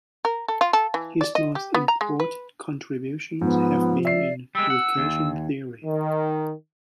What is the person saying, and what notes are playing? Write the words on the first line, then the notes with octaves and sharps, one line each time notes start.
His most important contributions have been in recursion theory.
A#4
A4
F4
A4
E3
D5
D#5
G4
B3
A#5
G#3
B4
G#2 F3 B3
D5 E5 C7
G3 G#3 E6
F#5
D#2
D#3